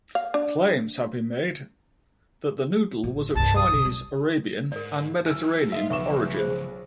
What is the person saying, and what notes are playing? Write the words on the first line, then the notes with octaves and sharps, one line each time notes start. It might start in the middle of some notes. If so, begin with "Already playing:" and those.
Claims have been made that the noodle was of Chinese, Arabian and Mediterranean origin.
F5
D4
A1
C2 G2 A5
D#6
C3
G3
G#2 A#4 D5
F#3 E4 G#5 E6 F6
D#4 F4 E5 F5
B1 C#3 F3 B3 E5 C#6 D6 E7
F4 G#4 C5